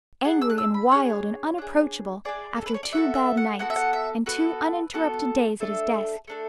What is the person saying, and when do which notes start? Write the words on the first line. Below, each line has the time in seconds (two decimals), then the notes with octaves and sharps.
Angry and wild and unapproachable, after two bad nights, and two uninterrupted days at his desk.
0.24 D4 G#4 F#5
0.42 E6
0.50 F#6
0.58 E6
0.74 B5
0.91 D4 G#4 C#5
1.58 D4 G#4
2.25 D4 G#4 D5
2.56 A4
2.66 B4
2.74 C#5
2.83 D5
2.92 B3 F#4 A4 E5
3.15 E5
3.37 F#5
3.59 B3 F#4 A4 F#5
3.70 E5
3.76 F#5
3.93 E5
4.26 B3 F#4 A4 B4
4.93 B3 F#4 A4
5.60 A3 D4 A4
6.28 A3 D4 A4